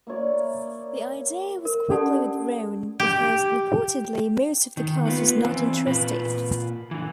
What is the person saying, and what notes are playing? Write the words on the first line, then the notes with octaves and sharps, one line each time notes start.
This idea was quickly withdrawn, because reportedly most of the cast was not interested.
A#3 E4 C#5 D5
A#4
C#4 G4 A4 D5 F#5 A5
G4
D#3
B3 F4 B4
E3 C4
A#2 F4 B4
D3 E3